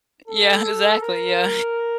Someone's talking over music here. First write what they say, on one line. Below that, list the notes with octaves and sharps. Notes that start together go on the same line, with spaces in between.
Yeah, exactly, yeah.
A4
A#4